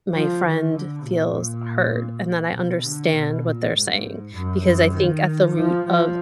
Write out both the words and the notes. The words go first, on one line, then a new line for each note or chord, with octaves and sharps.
my friend feels heard and that I understand what they're saying. Because I think at the root of
F3
D#3
D3
A#2
B2
D3
B2
A#2
G#2
F#2
F#2
D#3
F3
F3